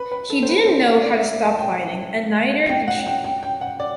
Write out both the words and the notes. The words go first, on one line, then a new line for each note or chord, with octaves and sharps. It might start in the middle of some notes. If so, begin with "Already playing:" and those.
He didn’t know how to stop fighting, and neither did she.
Already playing: B4
B4
A4
C5
B4
C5
D5
D5
E5
A5
G5
G5
F#5
G5
G5
G5
F#5
D5